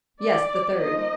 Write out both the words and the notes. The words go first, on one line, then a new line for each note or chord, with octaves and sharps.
"Yes, the third."
D5
F3 A#3 D#4 D#5